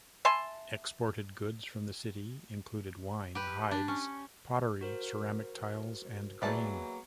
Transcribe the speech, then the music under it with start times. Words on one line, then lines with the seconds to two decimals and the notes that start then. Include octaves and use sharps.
Exported goods from the city included wine, hides, pottery, ceramic tiles and grain.
0.25 E5 G#5 A5 C6
3.35 G4 B4
3.71 D4
3.88 C#4
4.81 F#4 A#4 C5
6.42 E3 F#3 A#3 G#4 B4 D5 A5